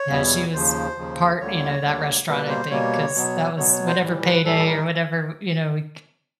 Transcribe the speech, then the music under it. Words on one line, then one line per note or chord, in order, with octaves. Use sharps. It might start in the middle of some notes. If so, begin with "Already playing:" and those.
Yeah, she was part, you know, that restaurant, I think, 'cause that was whatever payday or whatever, you know, we
Already playing: C#5
E2 B2 G3 B3
D#2 C#3 F3 C5
D#2 C#3 F3
D2 D3 G3 A#3 C#5
D2 D3 G3 A#3
B2 G3 A#3 B4
C5
B2 G3 A#3 C#5
B2 F#3 B3
B2 F#3 B3 C#5
C#5
C5
A2 E3 G3
B4
A2 E3 G3 A4
A#4